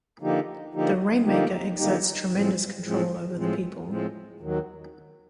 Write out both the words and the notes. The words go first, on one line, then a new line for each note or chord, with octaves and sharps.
The rain-maker exerts tremendous control over the people.
D3 F3 A#3 D#4 G4
D3 F3 A#3 D#4 G4
D3 F3 A#3 D#4 G4
D3 F3 A#3 D#4 G4
A2 F3 G#3 C4
A2 F3 G#3 C4
A2 F3 G#3 C4
A2 F3 G#3 C4
D#2 D#3 F#3